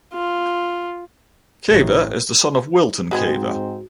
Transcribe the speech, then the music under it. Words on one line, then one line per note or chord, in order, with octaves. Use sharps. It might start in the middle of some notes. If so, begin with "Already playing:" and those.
Caver is the son of Wilton Caver.
F4
A1
G#2 G#3 B3 C4 F#4 G#4